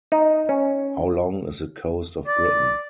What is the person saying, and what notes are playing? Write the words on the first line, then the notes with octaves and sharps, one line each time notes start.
How Long Is the Coast of Britain?
D#4
C#4
D5